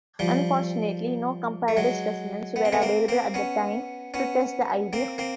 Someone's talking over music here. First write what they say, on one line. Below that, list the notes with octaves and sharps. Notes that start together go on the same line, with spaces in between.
Unfortunately, no comparable specimens were available at that time to test the idea.
F3 G3
A3
F#3 G#3
B3
C4
A3 B3
A#3 C4
A#3 C4
B3 C#4
B3 C#4
A#3 C4
A#3 C4